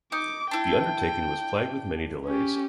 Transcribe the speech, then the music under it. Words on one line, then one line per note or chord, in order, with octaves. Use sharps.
The undertaking was plagued with many delays.
D#4 D6
D4 E4 G5
C#4 G4